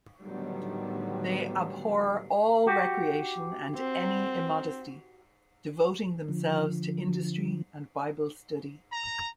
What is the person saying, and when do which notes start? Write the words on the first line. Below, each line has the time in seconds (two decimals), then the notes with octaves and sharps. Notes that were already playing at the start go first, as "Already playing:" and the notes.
They abhor all recreation and any immodesty, devoting themselves to industry and bible study.
0.22 A2 D3 D#3 F#3 G3 B3
2.66 F#4 G4
3.76 C4
6.28 D3 F3
8.90 A#5